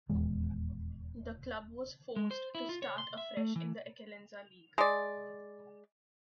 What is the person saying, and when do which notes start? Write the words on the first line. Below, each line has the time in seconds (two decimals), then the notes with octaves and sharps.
The club was forced to start afresh in the Eccellenza league.
0.10 D#1 E2 G#3
2.16 G#3
2.31 C5
2.55 E4
2.69 F4
2.82 C#5
2.98 C6
3.17 E5
3.37 A3
3.56 E3
4.78 G#3 D5